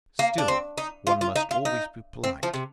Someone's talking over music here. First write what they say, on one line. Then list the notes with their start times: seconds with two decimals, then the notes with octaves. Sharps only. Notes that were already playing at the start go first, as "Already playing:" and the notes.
Still one must always be polite.
0.19 A#3
0.38 D4
0.48 C4
0.78 D#4
1.07 F4
1.21 F4
1.36 D#4
1.51 F4
1.65 D#4
2.24 C4
2.43 F3
2.54 C3